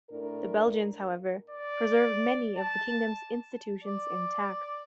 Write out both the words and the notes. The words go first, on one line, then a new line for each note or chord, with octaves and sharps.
The Belgians, however, preserved many of the kingdom's institutions intact.
A2 D4 A#4
D5
A5
D5